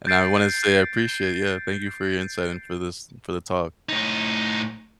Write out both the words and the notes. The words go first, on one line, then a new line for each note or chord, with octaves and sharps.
and I wanna say I appreciate Yeah, thank you for your insight and for this for the talk.
G6 A6 C7 D7
A2 D#4